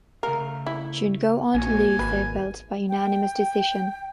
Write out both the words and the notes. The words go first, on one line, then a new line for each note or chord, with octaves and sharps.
She would go on to lose the belt by unanimous decision.
C#3 A3 A#4 F5
E4
A#1 A#3 B3 F#4 G#5
G#1 B4
G5